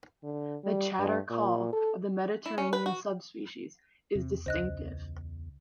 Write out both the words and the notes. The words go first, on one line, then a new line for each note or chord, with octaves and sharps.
The chatter-call of the Mediterranean subspecies is distinctive.
D3
G3
G2
A#2
A4
E4
C#4
B4
F#4
E2 C3
C#2 C5 D#5 F#6